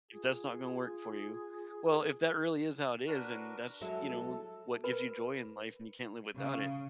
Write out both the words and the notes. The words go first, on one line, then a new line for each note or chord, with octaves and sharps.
If that's not gonna work for you" Well, if that really is how it is and that's, you know, what gives you joy in life and you can't live without it,
F4 G#4
D4 F#4 A#4 B4
F#3 G#3 E4 A4
A#4 B4 B5
C#3